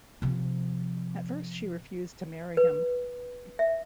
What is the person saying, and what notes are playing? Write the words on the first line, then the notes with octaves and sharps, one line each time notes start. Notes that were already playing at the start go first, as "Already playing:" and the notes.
At first she refused to marry him.
C3 F3
B4
E5